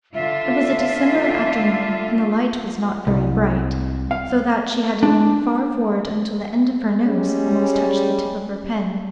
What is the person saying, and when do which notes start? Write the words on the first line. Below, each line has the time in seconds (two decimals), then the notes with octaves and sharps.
It was a December afternoon, and the light was not very bright, so that she had to lean far forward until the end of her nose almost touched the tip of her pen.
0.14 D3 F4 E5
3.07 C2
4.11 F5
5.03 D4
7.04 G3 G#3 C#4